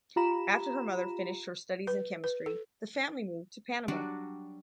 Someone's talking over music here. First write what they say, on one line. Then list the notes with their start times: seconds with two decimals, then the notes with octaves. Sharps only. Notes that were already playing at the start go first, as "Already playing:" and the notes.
After her mother finished her studies in chemistry, the family moved to Panama.
0.16 F4 G4 A#5 B5 E7
1.87 B4
2.24 B4
2.46 A4
3.88 F#3 G3 D4 F#4